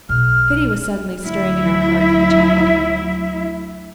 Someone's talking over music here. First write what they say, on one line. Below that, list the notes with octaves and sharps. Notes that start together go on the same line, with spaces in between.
Pity was suddenly stirring in her heart for the child.
B1 F6
D2 F#3 E4 E5